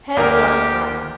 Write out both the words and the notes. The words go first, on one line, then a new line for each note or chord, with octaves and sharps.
Head dark brown.
D2 A#3 G4 A#4